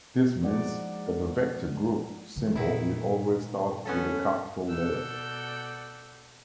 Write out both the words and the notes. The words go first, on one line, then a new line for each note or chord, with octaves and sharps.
This means that the vector group symbol will always start with a capital letter.
F3 G#3 D#4 D5 F#5
D3 E3
A#2 D#3 E4
B3 C#4 A4
B2 A4 D5 F#5 E6 G6